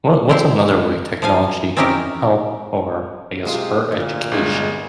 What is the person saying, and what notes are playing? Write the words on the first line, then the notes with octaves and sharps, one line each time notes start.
what what's another way technology can help or, I guess, hurt education?
C4 E4 C5
F3 C5 F5 G#5
C4 C#4 D#4 E4 G4 A#4
B1 C3 G#3 F4
D2 A#2
G1 G#3